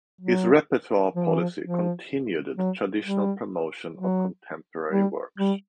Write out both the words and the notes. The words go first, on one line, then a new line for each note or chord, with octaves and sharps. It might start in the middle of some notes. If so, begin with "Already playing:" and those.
His repertoire policy continued the traditional promotion of contemporary works.
F#3
F3
E3
F3
F3
F#3
G3
F#3
G3
G3